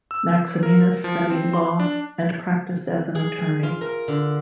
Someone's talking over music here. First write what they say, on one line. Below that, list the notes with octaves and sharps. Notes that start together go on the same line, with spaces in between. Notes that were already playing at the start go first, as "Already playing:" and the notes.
Maximinus studied law, and practiced as an attorney.
E6
A#4
F3
C4
C6
D4
G#4
G#5
F4
A#4
D3